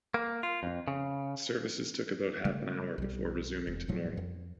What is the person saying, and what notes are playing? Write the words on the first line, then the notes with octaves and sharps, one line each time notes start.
Services took about half an hour before resuming to normal.
A#3
F4
F2
C#3
C#3 G3 A3
B1 G3
E1
D1 A2 F3 F#3
F2